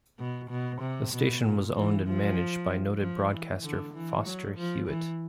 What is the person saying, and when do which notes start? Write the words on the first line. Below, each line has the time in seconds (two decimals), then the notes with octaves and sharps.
The station was owned and managed by noted broadcaster Foster Hewitt.
0.19 B2
0.50 B2
0.81 C3
1.12 B2
1.43 A#2
1.75 E3
2.06 F3
3.00 F3
3.31 E3
3.63 D3
3.94 E3
4.25 F#3
4.57 F3
4.87 E3